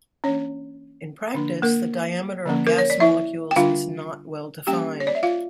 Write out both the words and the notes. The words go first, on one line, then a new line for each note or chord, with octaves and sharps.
In practice, the diameter of gas molecules is not well defined.
E3 A#3 C#4 D4 C#5
D3 F3 A#3 D4
A#3 A#4
D3 F3 A#3 C#4
A#4
C#5
D5
E4 E5
G5
D3 G3 D4 F4 F5
G3 A#3 C#4 G4 G5
C#5
D5
E5
F4 F5